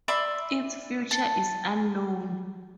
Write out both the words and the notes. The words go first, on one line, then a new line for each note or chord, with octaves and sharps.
Its future is unknown.
D5 E5 B5 C6
A5